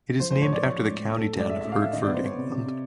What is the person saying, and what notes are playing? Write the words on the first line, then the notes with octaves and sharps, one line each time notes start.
It is named after the county town of Hertford, England.
F3 C5
C5
A2
C#5
F3 D5
F3 C#5
G#3
A2
A2
A4
A2
G#3 D5
G#3 E5
E5
A2
F5
A2 E5
D#3 D#5
D5
B3
C5
B3 C#5
C3
C3
C3